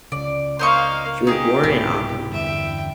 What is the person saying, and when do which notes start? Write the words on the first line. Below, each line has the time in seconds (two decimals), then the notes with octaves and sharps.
She was born in Auckland.
0.12 C#2 C#3 D5
0.59 A#3 C5 D#5 F5 C#6
1.27 D#4 G4 G#4
1.64 C2 G#2 B2 E4
2.32 E2 G2 D3 E5 G5